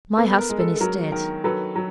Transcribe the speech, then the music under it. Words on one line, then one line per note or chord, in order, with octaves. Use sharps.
'My husband is dead.
B3 A4 B4
B4
A#4
G#3
A4
A4
F#3 A#4
D#3 A#4
F#3 A4 B4
F#3